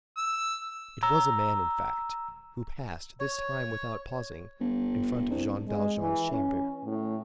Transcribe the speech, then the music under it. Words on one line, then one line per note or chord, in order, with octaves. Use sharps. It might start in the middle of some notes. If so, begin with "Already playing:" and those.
It was a man, in fact, who passed, this time without pausing, in front of Jean Valjean's chamber.
E6
A#5 E6
C#5
G1
C2
G#3
E3
C#4
A2